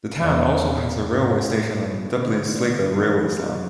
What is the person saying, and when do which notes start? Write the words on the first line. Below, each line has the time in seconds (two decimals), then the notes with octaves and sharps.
The town also has a railway station on the Dublin-Sligo railway line.
0.20 E2
1.00 G#2
1.39 A2
1.79 B2
2.17 D3
2.57 D3
2.97 E3
3.36 F#3